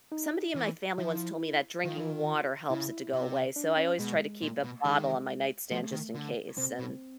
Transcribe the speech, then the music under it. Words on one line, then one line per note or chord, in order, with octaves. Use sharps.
Somebody in my family once told me that drinking water helps it to go away, so I always try to keep a bottle on my nightstand just in case, and
D#4
E3
F3 E4
D#3 F4
E3
D#3
C#3 E4
C3
D4
C#4
B2 G#3
A#2
B2
D#3 G#3
F3 A3
D#3
D3
C3 C4
B2